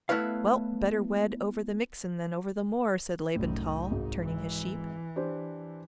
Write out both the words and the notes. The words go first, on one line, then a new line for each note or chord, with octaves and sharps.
"Well, better wed over the mixen than over the moor," said Laban Tall, turning his sheep.
A3 B3 E4 B4 C#5 F5
C2 F#2 A2 D#4
G#1 G#2
E3
D4 G4 C5